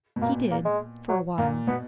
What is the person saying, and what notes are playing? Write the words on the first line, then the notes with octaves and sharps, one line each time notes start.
He did--for a while.
B2
A#2 A#3
A#3
G#3
F#3
A#2 A#3
B2 B3